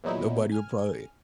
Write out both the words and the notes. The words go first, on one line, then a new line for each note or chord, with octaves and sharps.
Nobody will probably
E2 A#2 F#3 D#4 E4
G#5 F6